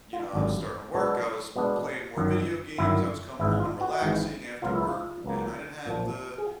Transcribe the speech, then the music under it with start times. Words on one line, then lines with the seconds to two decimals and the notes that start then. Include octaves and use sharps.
You know, I was starting to work, I was playing more video games, I was coming home and relaxing after work. And I didn't have the
0.13 F4
0.33 G#1 F#2 D3 G3
0.94 B2 G#3 B3 D4
1.56 B2 G#3 B3 D4
2.17 G1 F#2 D#3
2.78 G1 F#2 D#3 E4
3.39 G#1 G#2 E3 E4
3.60 F4
3.81 F#4
4.01 G#1 G#2 E3
4.62 C#2 B2 F#3 A#3 F4
4.75 E4
4.88 F4
5.24 C#2 B2 F#3 A#3
5.85 B1 A#2 F3
6.38 G#4